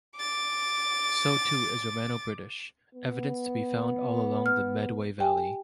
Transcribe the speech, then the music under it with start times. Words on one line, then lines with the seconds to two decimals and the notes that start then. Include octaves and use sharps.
So too is Romano-British: evidence is to be found all along the Medway Valley.
0.18 D6 A6
2.95 B3
4.46 F6
5.19 G4 G5 G#5